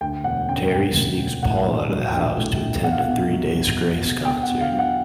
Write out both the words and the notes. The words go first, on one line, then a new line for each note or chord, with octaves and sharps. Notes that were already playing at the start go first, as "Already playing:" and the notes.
Terri sneaks Paul out of the house to attend a Three Days Grace concert.
D2 G5
E1 F#5
C#3 G5
E1 G5
D2
E1
A2 F#5
A#1
F#3
A#1 G5
A2
A#1
B2 F#5
F5
F#5
B1
F#3
B1
B2
B1
B2 G5
F#5
E2
F5
F#3
F#5